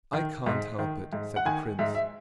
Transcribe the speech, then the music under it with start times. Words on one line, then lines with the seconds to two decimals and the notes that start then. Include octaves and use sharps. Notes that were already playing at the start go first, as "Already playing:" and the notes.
"I can't help it," said the prince.
0.13 D#3
0.46 G#2
0.79 D#3
1.13 G#2
1.36 F#5
1.45 D#3 G#5
1.79 G#2 E5
1.95 E5